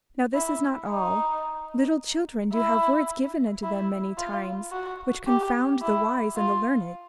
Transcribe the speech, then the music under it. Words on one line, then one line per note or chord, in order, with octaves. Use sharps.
Now this is not all; little children do have words given unto them many times which confound the wise and the learned.
E4
D#4
E4
E4
F4
F#4
G4
E4
F4